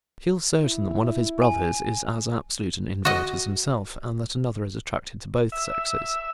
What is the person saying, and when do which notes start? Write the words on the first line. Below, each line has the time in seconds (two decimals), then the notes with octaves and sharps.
He feels certain that one of his brothers is as absolute an invert as himself and that another is attracted to both sexes.
0.63 E4
1.42 G#5
3.05 F#4 D#5
5.52 E5